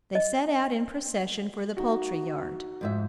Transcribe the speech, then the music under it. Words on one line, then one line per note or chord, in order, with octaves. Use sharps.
They set out in procession for the poultry-yard.
D#5
D#4 F#4
F2 G#2 E5